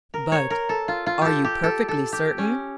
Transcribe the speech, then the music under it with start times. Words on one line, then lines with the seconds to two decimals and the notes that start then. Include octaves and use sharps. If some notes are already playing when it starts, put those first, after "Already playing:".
"But are you perfectly certain?"
0.14 A#4
0.32 C#5
0.50 A#4
0.69 A4
0.88 F4
1.06 F4
1.22 G4 A4
1.44 G4
1.64 A4
1.88 A4
2.13 G4
2.38 C#4